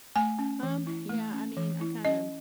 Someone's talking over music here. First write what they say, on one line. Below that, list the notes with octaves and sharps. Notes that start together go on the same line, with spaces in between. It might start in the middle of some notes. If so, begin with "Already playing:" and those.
Um, yeah, I mean, I kinda
A3 G#5
C#4
E3
E4
A3
C#4
E3
E4
C#4 D#5